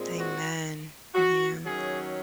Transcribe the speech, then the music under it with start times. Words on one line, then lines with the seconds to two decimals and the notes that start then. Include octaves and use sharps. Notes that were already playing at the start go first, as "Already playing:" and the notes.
Amen, yeah.
Already playing: A#2 G#3 C4
0.17 F#4
1.15 F#4
1.64 D#3 F#3 C#4 G#4